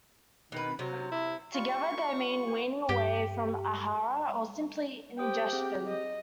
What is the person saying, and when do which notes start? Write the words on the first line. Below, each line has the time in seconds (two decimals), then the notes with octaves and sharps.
Together they mean "weaning away from ahara", or simply ingestion.
0.52 B2 D#3 B4
0.79 C3 F#3
1.11 E4
1.54 G3 F4 C#6
2.89 G2 G4
5.19 G4 C5 G5 D#6
5.53 C4 G#4
5.88 D#5